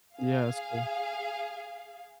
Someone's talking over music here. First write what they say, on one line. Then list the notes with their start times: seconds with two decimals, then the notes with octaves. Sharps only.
Yeah, that's cool.
0.17 G#4 F5